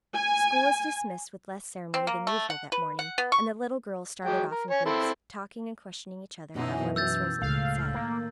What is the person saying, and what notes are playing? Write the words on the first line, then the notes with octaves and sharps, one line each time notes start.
School was dismissed with less ceremony than usual that morning, and the little girls started off in groups, talking and questioning each other about what Miss Rosalie had said.
G#5
C4
A#3
A3
F#5
B4
F#5
B3
C#6
F#3 G#3 G5
A#4
C#5 G#5
C4 E4 A4
F#2 B2 E3 D#4
B2 E6 G6 A6
C#2 A2 F5
D#3 A#3